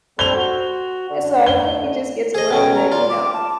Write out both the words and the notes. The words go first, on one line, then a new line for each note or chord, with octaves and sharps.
So, I feel like it just gets a little bit, you know,
G3 C4 A4 C5 F7 G7
F#4
D3
A3 G7
G#4 C5 D#5
B2 C#4 G5
A#5
F4 D5
D6
A5